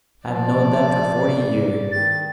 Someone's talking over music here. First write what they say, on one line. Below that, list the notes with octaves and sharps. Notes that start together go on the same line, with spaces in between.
I've knowed that for forty year.
F3 D5
D#3 A6